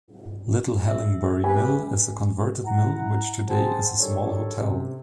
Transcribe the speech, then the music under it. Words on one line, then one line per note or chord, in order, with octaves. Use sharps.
Little Hallingbury Mill is a converted mill which today is a small hotel.
E5
G4 B4 G#5
E4 F#5 A#5
C4 G#4 C5 F#5 A5
D#3 F#3 G3 D4 A4 C#5
C3